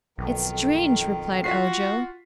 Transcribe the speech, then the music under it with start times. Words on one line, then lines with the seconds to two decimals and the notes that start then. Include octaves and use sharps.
"It's strange," replied Ojo.
0.18 B1 F2 D#3
1.44 F4 F#4 B6 C7